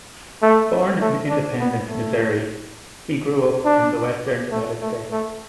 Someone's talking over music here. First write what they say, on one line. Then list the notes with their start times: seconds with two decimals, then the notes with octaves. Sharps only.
Born in Independence, Missouri, he grew up in the western United States.
0.42 A3
1.01 A3
1.29 D4
1.60 B3
1.88 A3
3.65 D4
4.52 A3
4.81 A3
5.11 A3